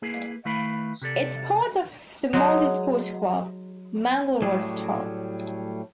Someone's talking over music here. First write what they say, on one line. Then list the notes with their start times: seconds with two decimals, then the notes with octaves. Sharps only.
It's part of the multi-sport club Manglerud Star.
0.02 A#3 E4 G#4 B4
0.45 D#3 A3 E4 B4 F5 B5
1.02 C3 G4 A4 D5
2.33 F#3 G#3 D#4
4.42 A2 F#3 G3 A3 G#4